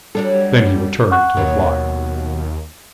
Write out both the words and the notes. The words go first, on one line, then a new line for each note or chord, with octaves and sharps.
Then he returned to the flier.
F#3 G3 D4 A4
F#5 C#6 F#6
D#2 B2 F#3 A#3